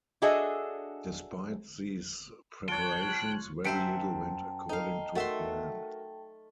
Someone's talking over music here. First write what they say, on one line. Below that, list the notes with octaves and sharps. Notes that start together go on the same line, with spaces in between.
Despite these preparations, very little went according to plan.
D4 F#4 G#4 A4 D#5 E5
F4 C#5 G5 A5 F#6
F#2 C5 E5 G5 A5 B6 C#7 D7
D#4 A4 F5
A3 F#4 A#4 E5 F#5 C6